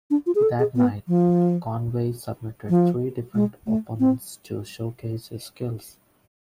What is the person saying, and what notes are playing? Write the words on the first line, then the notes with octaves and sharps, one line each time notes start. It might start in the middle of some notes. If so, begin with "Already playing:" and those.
That night, Conway submitted three different opponents to showcase his skills.
D4
F4
G#4
A4
G#4
B3
F3
F3
G#3
A3
C4